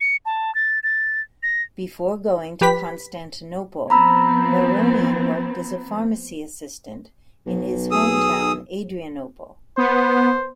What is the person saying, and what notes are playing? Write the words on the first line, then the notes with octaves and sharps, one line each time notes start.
Before going to Constantinople Baronian worked as a pharmacy assistant in his hometown Adrianople.
C#7
A5
A6
A6
A#6
F3 G4 B4 B5 B6
F3 B3 C4 A#5 B5 E6
B1
G#4 D#6 E6
B3 C5